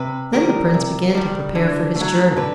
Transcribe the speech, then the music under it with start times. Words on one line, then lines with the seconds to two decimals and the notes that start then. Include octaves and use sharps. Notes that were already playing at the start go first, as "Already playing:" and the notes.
Then the prince began to prepare for his journey.
Already playing: C3 B4
0.33 D#3 G3 A#4
0.74 C3
1.14 D#3 G3
1.55 D3
1.96 A3
2.01 F#3
2.36 D3 B4